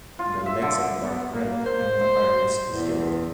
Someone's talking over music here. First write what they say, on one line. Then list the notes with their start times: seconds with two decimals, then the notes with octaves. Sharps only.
The legs are dark red, and the iris is yellow.
0.19 F4
0.46 E5
0.62 D3
1.01 B3
1.33 A#3
1.66 C5
2.72 E2